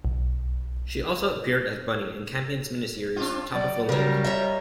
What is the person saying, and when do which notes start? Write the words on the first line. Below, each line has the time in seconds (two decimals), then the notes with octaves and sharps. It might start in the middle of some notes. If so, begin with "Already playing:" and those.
She also appeared as Bunny, in Campion's miniseries "Top of the Lake".
0.05 B1
3.16 C4 D4 F4
3.54 F#3 D5
3.89 C#3 F#3 G3 A#4
4.25 C#5 D#5 E5